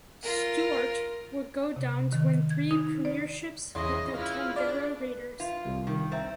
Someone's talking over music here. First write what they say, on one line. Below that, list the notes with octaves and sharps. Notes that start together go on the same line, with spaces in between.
Stuart would go on to win three premierships with the Canberra Raiders.
F4 A#4
C3
D#3
G#6
D#4
D5
E2 C#3 D#5 C6
E4 F4 B4
D4 D5
B4
F4
C2
D#3
C4 E5 A#5 A6